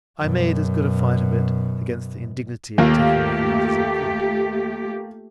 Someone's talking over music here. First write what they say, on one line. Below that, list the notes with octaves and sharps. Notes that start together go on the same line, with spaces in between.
I made as good a fight of it against the indignity of taking my ease as I could.
F#2 B2
D#2 A3 A#3 F4 G4